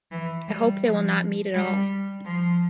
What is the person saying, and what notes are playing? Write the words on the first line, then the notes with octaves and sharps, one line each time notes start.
I hope they will not meet at all.
E3
G3
F3
G3
F3